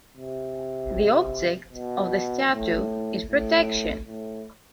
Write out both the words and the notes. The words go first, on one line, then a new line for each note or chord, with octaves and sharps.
The object of the statute is protection.
C3
B2
A2
A2
A2